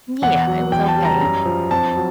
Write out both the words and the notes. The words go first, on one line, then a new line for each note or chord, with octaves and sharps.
Yeah, it was okay.
E2 F#5
F#3
E2 G5
A5
G3
A#5
F#2 A#5
F3
F2 A5
F#3